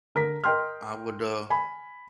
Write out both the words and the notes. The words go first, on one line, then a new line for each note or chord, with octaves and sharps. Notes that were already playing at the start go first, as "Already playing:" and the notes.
I would, uh,
D3 A#4 A#5 B6
A#4 D#5 G5 C6 F6
G#5 B5